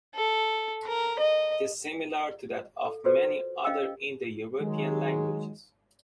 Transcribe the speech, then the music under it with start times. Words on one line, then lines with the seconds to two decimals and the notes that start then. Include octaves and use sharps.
It is similar to that of many other Indo-European languages.
0.15 A4
0.87 A#4
1.19 D#5
2.85 A4
3.04 F4 F#4 A4 B4 C5 D5
3.64 C#4 D#5 F5 G5 E6
4.61 D#3 F#3 G#3